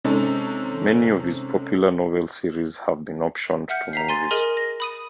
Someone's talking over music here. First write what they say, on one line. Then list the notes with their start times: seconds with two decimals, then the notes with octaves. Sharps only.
Many of his popular novel series have been optioned for movies.
0.05 C3 G#3 C4 C#4 D#4 A4
3.69 E5 F#5 F6 G6 C#7
3.93 A#5 B6 C7
4.09 G#5 C6 A6
4.31 G#4 A#4 D#5 F6 D#7 F#7
4.57 A#6
4.80 B5 D#6 D#7